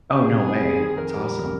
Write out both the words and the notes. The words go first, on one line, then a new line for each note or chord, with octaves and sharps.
Oh, no way. That's awesome.
G4
C3 G#4
G3
C4
D#3
G#4
F2 A#4
G3
F2